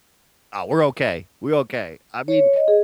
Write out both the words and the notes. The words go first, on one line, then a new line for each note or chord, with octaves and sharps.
Oh, we're okay. We're okay. I mean
C#5
D#5
G#4